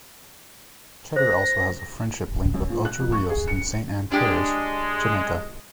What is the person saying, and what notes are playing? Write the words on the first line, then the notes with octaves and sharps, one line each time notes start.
Cheddar also has a friendship link with Ocho Rios in Saint Ann Parish, Jamaica.
C5 A#6
F#2
A#2
F#6
F2
C#6
G#4
C#7
G#3 D4 G4